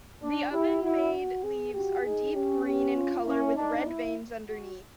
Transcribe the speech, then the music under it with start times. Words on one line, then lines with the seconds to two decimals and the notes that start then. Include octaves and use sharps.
The oven-made leaves are deep green in color with red veins underneath.
0.22 D4
0.52 E4 G4
0.82 E4 F#4
1.43 G#4
1.73 F#4 G4
2.04 D#4 G#4
2.34 C#4 G4
2.65 G4
2.95 F4
3.25 C#4 E4
3.55 D4 D#4
3.86 E4
4.48 F#4